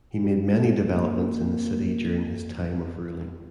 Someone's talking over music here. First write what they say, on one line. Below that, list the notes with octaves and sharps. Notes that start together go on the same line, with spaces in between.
He made many developments in the city during his time of ruling.
G3
A3
A#3